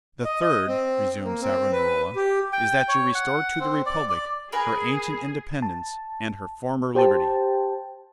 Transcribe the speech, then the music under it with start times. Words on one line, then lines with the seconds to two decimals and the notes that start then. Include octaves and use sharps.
"The third," resumed Savonarola, "is that you restore to the republic her ancient independence and her former liberty."
0.25 D#5
0.41 D#5
0.68 C4
1.24 A#3
1.42 C4
1.72 B4
2.16 G4
2.53 G5
2.88 C#5
3.15 F#5
3.60 C4
3.86 D5
4.09 D5
4.52 G#4 A#4 B4 G#5
5.62 A5
6.95 G4 C5 G5 A5